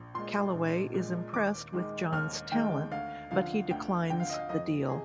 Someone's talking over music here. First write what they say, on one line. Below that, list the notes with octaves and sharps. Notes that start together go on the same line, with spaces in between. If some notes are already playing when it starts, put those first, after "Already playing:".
Calloway is impressed with John's talent, but he declines the deal.
Already playing: A#1
A#2 G#3 C6
A#1
A#2 G#3
D#2 D6
D#3 G#3
D#2 F6
D#3 G#3 G5
D2 F5
D3 F3 F5
D2 G5
D3 F3 G5
F5
D#5
F5
F2 D#5
C3 G#4